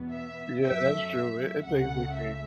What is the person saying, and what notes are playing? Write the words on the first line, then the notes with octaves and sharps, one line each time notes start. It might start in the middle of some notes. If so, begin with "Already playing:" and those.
Yeah, that's true. It it takes the cake.
Already playing: E2 B2 B3
E5
F#2 F#3 A3 E5
E5
C#2 C#3 A3 F#5
E5